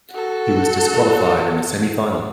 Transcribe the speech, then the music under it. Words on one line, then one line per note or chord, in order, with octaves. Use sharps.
He was disqualified in the semifinal.
F#4 A4